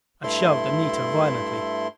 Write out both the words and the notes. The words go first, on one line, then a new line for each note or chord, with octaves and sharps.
I shoved Anita violently.
G2 A3 E4 C6